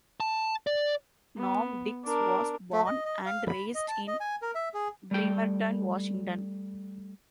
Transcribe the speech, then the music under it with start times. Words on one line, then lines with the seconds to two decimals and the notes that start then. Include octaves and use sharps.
Norm Dicks was born and raised in Bremerton, Washington.
0.20 A5
0.67 D5
1.37 B3
2.04 D4 A#4
2.73 A3
2.86 D#5
3.05 D#5
3.25 F5
3.47 B5
3.75 D#5
3.88 A5
4.08 D#5
4.20 G#5
4.42 A#4
4.55 E5
4.74 G#4
5.11 G3 A3 G5